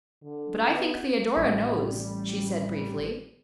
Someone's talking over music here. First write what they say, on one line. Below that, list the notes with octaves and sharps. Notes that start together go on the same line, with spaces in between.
"But I think Theodora knows," she said, briefly.
D3
B3
A1 G3